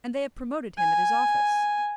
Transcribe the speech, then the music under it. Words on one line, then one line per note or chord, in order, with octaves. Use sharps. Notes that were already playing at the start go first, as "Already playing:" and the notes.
"And they have promoted him at his office."
G#5